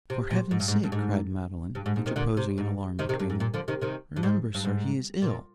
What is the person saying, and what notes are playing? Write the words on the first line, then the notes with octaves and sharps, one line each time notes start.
'For Heaven's sake!' cried Madeline, interposing in alarm between them. 'Remember, sir, he is ill.'
C3
A#2
G#2
G2
G#2
G2
G#2
G2
G#2
G#2
C3 D#3
A#2 D3
C3
G#2
C3 D#3
C3 D#3
G2
G#2
A#2
D3 F3
C3 D#3
C3 D#3
G2
G#2
G2
G#2
A#2